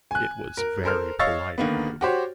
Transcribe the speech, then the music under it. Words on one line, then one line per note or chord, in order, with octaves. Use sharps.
"It was very polite of you."
G#5 F#6
A#4
A4 A#4 C5 F6
C#5 D#5 F5 C#6 E6 A6
D3 D#3 A#3 B3
F#4 G4 C5 C#5